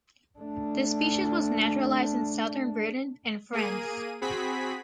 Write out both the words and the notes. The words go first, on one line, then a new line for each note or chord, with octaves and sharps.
The species was naturalized in Southern Britain and France.
A3 D4
A#3 G#4 D#7
C4 F#4 G#4 B5 B6